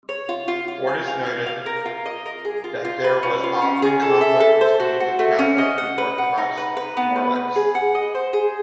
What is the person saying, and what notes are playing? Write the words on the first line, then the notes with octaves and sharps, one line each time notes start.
Fortis noted that there was often conflict between the Catholic and Orthodox Morlachs.
C#5
F4
F4
F4
G#5
F5
G#5
F5
A#4
F4
D#5
A#4
G#4
F4
F4
B4
C#4
F4
C#4
G#4
A4
E5
A4
C5
F#4
F#4
A3
C#4
D#5
F#5
B4
F#5
D#4
B4
B4
B3
B4
B4
G#4
F#5
D#5
C5
G#4